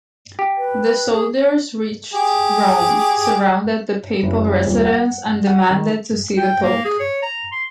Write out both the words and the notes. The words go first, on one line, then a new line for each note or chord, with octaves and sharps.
The soldiers reached Rome, surrounded the papal residence, and demanded to see the pope.
G4
B4
G#4
G4 G#4
F#1
D#1
F#5
F#5
D#3
G5
A#3
G#4
C#5
A#5
C6